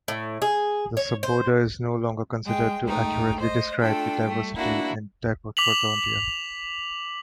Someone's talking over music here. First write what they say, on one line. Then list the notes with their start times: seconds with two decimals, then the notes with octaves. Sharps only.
This suborder is no longer considered to accurately describe the diversity in Diprotodontia.
0.08 A2
0.42 G#4
0.97 C#5
1.23 C5
2.44 G#3 G5
2.84 G#3 A3 D#4 G5
3.40 C5 D#5
3.79 A3 D4 F4 A4 G5
4.24 G3 A3
4.55 A#3 D4 E4 F#4
5.57 D6 B6 F7 F#7